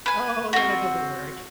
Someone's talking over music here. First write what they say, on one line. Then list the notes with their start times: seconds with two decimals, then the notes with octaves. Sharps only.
Oh, yeah, that doesn't work.
0.06 B4 G#5
0.53 C4 F#4